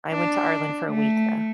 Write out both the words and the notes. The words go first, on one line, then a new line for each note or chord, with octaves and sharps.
I went to Ireland for a week, though.
D4
A3